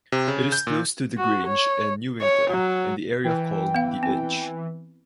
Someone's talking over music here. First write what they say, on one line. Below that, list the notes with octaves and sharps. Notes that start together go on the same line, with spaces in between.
It is close to The Grange and Newington and the area called the Inch.
C3
C#3
G6
A#2
F#4
C#5
C#5
F#3
E3 G5
B3 F5
C4